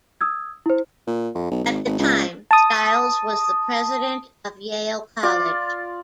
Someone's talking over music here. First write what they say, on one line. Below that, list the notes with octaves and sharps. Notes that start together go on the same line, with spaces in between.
At the time, Stiles was the President of Yale College.
D#6 E6 G#6
E4 C5
A#2
F2
B1
G#1
G#1
C#2
A5 D#6
F4 D5